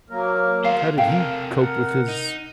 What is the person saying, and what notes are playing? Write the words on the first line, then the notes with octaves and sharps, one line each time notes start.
how did he cope with his
F#3 A#3 A#4
F#4 C5 F5
C3 A4 A#4 F5 G5
A#4 F#5
D#4